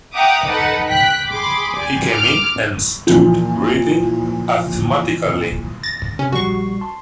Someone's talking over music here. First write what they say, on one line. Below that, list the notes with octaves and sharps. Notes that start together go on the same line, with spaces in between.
He came in and stood breathing asthmatically.
E5 F#5 G5 A#5 D6 D#6
D#4 A4 B4 F#5
G5 F#6 B6
G#4 B5 C6 D6
G4 D5 G#5
D6 F6
A#2 E3 F3
A6 A#6
C3 C#4
A#1 G3 F#4 C#6 C7
A5 C6